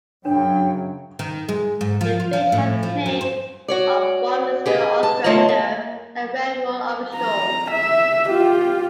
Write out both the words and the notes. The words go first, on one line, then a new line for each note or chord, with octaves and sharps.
The village has the name of one Mr. Ostrander, a railroad official.
F#2 C#3 F#3 D4 A#4 C#5 G5
D#3
G#3
G#2
F3
F4
F3
A2
F3
F#2
C5
F#4 C#5 D5
G4 G#4 B4 D#5
A5
D3 A3 F4 C#5 D#5 A5
A#3
A#5
E5
F4 G4